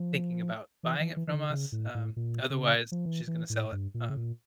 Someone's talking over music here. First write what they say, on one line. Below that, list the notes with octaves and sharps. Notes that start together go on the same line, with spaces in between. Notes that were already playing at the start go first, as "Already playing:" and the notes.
thinking about, buying it from us, um, otherwise she's gonna sell it, um,
Already playing: F3
E3
E3
E3
E3
D3
C#3
A2
A2
A#2
C#3
F3
E3
E3
A2
G2
A#2
C#3
A#2